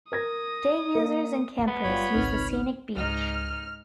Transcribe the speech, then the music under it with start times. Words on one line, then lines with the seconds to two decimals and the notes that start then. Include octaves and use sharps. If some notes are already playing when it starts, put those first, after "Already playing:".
Day users and campers use the scenic beach.
0.12 A#4 D#6 G#6 A#6
0.95 A#3
1.68 B3
1.84 G1 G3 F4 C#5 B5
2.13 G#1 C#2 C4 D#4 B4 F6
2.97 C#2 G#2 D#4 F6